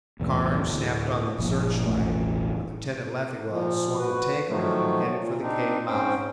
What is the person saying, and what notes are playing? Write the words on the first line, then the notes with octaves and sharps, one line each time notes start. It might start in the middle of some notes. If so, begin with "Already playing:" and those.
Carnes snapped on the search-light and Lieutenant Leffingwell swung the tank around and headed for the cave mouth.
B1 E2 A2
D2 A2
G1 A#2 F3
E1 A1 A3
A#2 F3
F#4 B4
D#3 F3 F#3 A3
A#2
C4 D4 D#4
G#2 C4 C#4 C5 G5